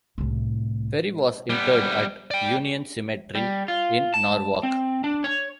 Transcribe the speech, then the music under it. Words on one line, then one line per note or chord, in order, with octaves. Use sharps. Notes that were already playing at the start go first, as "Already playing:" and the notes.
Ferry was interred at Union Cemetery in Norwalk.
C2 A2
G3 B3
D5 G5
G3
F4
A5
C4
D4
C#5